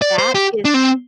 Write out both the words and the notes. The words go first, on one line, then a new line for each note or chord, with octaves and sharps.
That is
D5
C5
G4
D4
C4